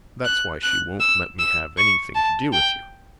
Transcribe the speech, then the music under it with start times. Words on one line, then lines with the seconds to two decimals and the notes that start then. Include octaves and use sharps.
That's why she won't let me have anything to do with you.
0.25 F#6
0.63 F#6
1.00 E6
1.39 E6
1.77 C#6
2.15 A5
2.53 G5